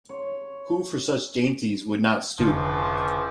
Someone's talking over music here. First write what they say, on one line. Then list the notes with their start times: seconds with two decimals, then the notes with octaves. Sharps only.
Who for such dainties would not stoop?
0.09 C#5
2.39 F1 C#2 D3 E3 F3 D4